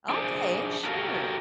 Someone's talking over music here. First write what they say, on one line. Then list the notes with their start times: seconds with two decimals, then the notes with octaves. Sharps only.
Okay, sure.
0.09 D4 G#4 C5 D5
0.84 F#4 G4 A4 A#4 C#5 F5